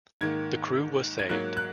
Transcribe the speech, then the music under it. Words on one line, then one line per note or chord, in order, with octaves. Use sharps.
The crew was saved.
G#2 D#3 A#3 G#6
G#6
G#2 F#3 A#3 F#6
F#6